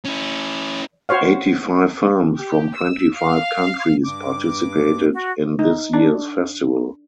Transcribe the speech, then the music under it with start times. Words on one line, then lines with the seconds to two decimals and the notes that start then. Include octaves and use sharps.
Eighty five films from twenty five countries participated in this year’s festival.
0.05 C#4 E4
1.09 F#4 C5 C#5 F5
2.38 G4
2.77 E6
3.14 F5
4.04 G2 D6
5.13 F#4
5.59 D#4
5.93 D4